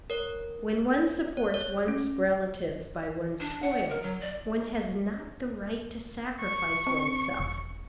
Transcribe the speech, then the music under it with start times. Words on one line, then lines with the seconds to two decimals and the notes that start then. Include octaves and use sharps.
When one supports one's relatives by one's toil, one has not the right to sacrifice one's self.
0.10 A#4 C#5
1.37 C#5
1.54 C#5
1.88 C#4
3.40 D4
3.62 F#5
3.90 A#4
4.02 F#3
4.21 D5
6.40 C#6
6.87 C4
7.40 E1